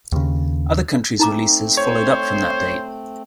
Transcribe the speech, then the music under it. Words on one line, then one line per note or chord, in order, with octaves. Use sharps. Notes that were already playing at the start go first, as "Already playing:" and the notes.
Other countries' releases followed up from that date.
D#2 C#3
A3 C4 D#4 A#5 D6
C5 C#5